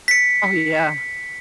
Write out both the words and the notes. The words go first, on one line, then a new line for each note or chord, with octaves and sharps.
Oh, yeah.
B6 C#7